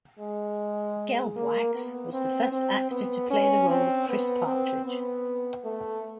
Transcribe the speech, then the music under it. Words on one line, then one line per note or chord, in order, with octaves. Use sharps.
Gelbwaks was the first actor to play the role of Chris Partridge.
G#3
A#3
B3
C4
C4
B3
C#4
C4
B3
C4
B3
A3